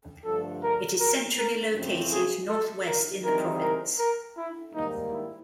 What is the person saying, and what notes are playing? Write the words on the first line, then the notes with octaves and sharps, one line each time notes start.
It is centrally located north-west in the province.
G2 D3 F3 A3 D4 A4
A#4
A#4
A#4
F#2 C#3 F3 A3 C4
G#4
A4
A#4
E3 G3 C4 D#4 G#4 A#4
A#4
A#4
E4
G#2 D#3 G3 A#3 D#4
E4